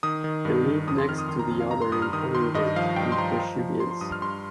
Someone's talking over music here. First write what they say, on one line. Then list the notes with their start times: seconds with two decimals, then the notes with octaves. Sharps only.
They live next to the other important group, the Kashubians.
0.03 D#3 D#6
0.24 D#3
0.45 G2
0.66 D#3
0.87 F2 D#6
0.98 C6
1.08 D#3 F6
1.19 D#6
1.29 D#3 C6
1.39 A#5
1.50 F2
1.60 F5
1.71 G2 A#5
1.82 C6
1.92 G2 D#6
2.02 F6
2.13 D#3 D#6
2.35 D#3 C6
2.54 G2 D#5
2.76 F3 F5
2.96 G2 G5
3.12 C6
3.18 F3 A#5
3.39 F3 A#5
3.59 F3
3.80 F3 C6
3.91 C6
4.01 G2 D#6
4.12 F6
4.22 G2 C6